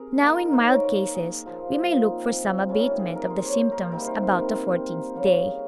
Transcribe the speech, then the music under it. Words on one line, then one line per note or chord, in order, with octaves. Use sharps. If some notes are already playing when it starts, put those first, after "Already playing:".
Now in mild cases we may look for some abatement of the symptoms about the fourteenth day.
Already playing: C3 G#4 A#4 C5
D#3 A#3
A#4
C5
C#5
A#4
A#4
G#4
A#2 F3 A#3
F4
D#4
C4
C3 G3 A#3 C#4
C#4 D#4
G#4
A#4
C5
C#5
C5
A#4
C5
C3 D#3 G3 A#3 A#4
C5
C5
A#4
C5
C#3 G3 A#3 C#5
F5
D#5
C#5